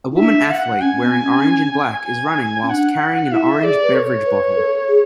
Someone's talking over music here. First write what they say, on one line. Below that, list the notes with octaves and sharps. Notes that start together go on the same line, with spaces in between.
A woman athlete wearing orange and black is running whilst carrying an orange beverage bottle.
E4
D4 E5
F#5
C#4 G#5
B3
C#4
G#5
C#4
D4 F#5
E4 E5
A4
G#4 D5
B4
A4 C#5
B4
B4
A4
G#4